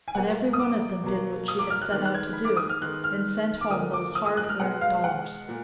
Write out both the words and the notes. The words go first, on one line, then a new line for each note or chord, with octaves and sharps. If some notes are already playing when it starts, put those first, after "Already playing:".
But every one of them did what she had set out to do, and sent home those hard-earned dollars.
G#5
B2 F#3 A#3 F#5
D#6
D6
B2 F#3 A#3
D#6
D6
F6
F#6
D#3 G#3 B3 F#6
F#6
G#6
B5
D6
D#6
F6
D#3 G#3 B3 F#6
F6
D6
D3 F3 A#3 D#6
D6
D#6
D#6
F#6
F6
B2 G#3 B3 F#5
F5
F#5
A#2